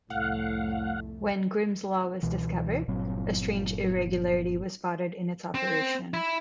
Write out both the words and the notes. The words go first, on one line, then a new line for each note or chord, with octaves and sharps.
When Grimm's law was discovered, a strange irregularity was spotted in its operation.
C2 F2 A2 A3 F5 F#5
C#2 B2 E3
G1 A#2 F#3 C4
C4
E4